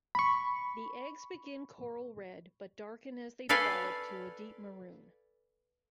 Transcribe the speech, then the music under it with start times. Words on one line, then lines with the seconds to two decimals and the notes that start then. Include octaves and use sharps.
The eggs begin coral red, but darken as they develop to a deep maroon.
0.15 B5 C#6
3.49 A4 B4 D5 F5 G#5